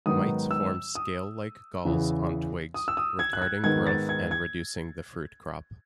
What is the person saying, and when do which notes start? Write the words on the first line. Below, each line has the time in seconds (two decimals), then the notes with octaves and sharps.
Mites form scale-like galls on twigs, retarding growth and reducing the fruit crop.
0.06 G#2 D#3 F#3 B3 D#4 D#6
0.51 E6
0.95 D#6
1.85 E2 C#3 E3
2.74 D#6
2.88 E6
2.97 D#6
3.19 G#6
3.33 F#6
3.42 G#6
3.64 G#2 D#3 G#3 B3 G#6
3.87 A6
4.09 G#6
4.31 G#6